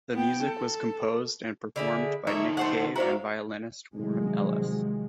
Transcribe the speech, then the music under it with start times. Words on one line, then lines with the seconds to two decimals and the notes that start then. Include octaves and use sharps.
The music was composed and performed by Nick Cave and violinist Warren Ellis.
0.13 B3 G5
0.43 A4
1.76 D3 E4 G#4
2.27 D3 A#3 D#4 C#5 E5
2.57 A3 C5 F#5
2.96 E4 F#4 A#4 C5 D5 F5 A#5
3.95 C3 D#3 F3 F#3 G#3